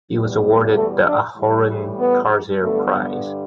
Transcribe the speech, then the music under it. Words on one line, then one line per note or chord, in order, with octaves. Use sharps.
He was awarded the Aharon Karzir Prize.
E2 B2 G3
A3 A4
D4 D5
A2 E3 G3
B3 B4
G2 D3 G3 A3 B3 A4